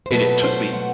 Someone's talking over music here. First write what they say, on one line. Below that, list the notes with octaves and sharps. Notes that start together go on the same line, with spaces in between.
And it took me
C5
B2 F#3 A3 B4
C5
F#5